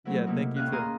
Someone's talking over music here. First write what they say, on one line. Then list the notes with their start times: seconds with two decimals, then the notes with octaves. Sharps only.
Yeah, thank you, too.
0.05 F#3 A3 C4 E4
0.26 C3 A3 A#3 C4 D#4 E4
0.56 D#2 A2 C#4 F5 F#6
0.73 F4 G#4 A#5 C6 D#6